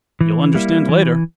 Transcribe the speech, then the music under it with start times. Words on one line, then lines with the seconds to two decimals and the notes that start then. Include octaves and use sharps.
You'll understand later....
0.21 E3
0.55 G3 A#3 E4
0.89 E3